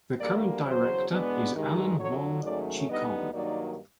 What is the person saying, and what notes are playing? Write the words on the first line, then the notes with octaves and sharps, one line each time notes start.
The current director is Alan Wong Chi-kong.
D2 D3 G3 A#3 D5
E2 C#3 F#3 C5
E2 B2 G#3 B3 D4
G2 D#3 G#3
F2 D3 F#3 C#5
G#2 D#3 F#3 A3 C#4 D5
D2 D3 G3 B3 D#4 D#5
G2 D#3 F#3 A#3 D#4 D5